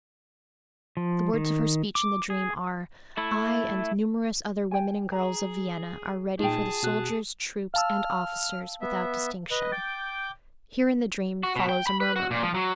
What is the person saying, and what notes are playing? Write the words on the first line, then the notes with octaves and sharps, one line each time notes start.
The words of her speech in the dream are, 'I and numerous other women and girls of Vienna are ready for the soldiers, troops, and officers, without distinction....' Here in the dream follows a murmuring.
F3
D#3
D6
G#4
A3 E4
G5 G#5
G#4 A#5
A#2 D#4 F4 G#4 G5 A5
B2 F#4 F#6
F5 A5 E6 F6
B3 E5
B4 D#5
G5 D6 G6 A6
F#4
B2
G5
B5
B4
F#4
A#2
F3
F#3